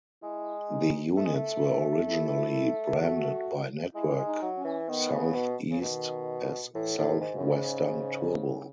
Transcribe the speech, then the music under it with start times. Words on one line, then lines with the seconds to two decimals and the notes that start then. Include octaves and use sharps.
The units were originally branded by Network SouthEast as South Western Turbo.
0.22 G#3 E4
0.69 D#4
1.16 A3
1.25 G#3
1.34 A3
2.10 E4
3.02 F#4
3.95 G#3 E4
4.18 G#3
4.27 D#4
4.42 F#3
4.57 C#4
4.64 E3
4.88 D#3 B3
5.12 C#3
5.35 B2
5.71 C#3
5.81 B2 D#3
6.74 A2 E3
6.98 A2
7.05 D#3
7.21 G#2
7.36 F#2 C#3
7.44 G#2